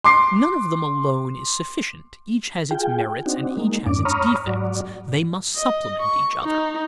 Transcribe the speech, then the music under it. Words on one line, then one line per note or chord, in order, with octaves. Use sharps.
None of them alone is sufficient; each has its merits and each has its defects; they must supplement each other.
C6 D6 C7
F4 G#4 G5
C4 D4 D#4 F#4
G#3 A#3 D#4
F2 G#2 C#4 D4 D6
C#5 A#5 B5 C#6 D#6 F6
G#2 F#3 F#4 D5
D#5
C#6
D#4